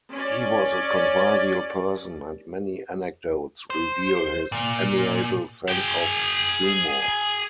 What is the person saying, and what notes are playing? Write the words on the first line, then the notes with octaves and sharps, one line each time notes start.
He was a convivial person, and many anecdotes reveal his amiable sense of humour.
C#4 D5
C5
A#2
G#4 G5